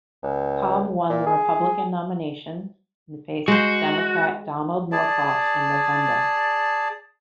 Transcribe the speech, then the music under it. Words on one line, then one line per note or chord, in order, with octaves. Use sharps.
Cobb won the Republican nomination and faced Democrat Donald Norcross in November.
C#2
A#2
G#4
G#3 F#4 C5
G#4 D5 A5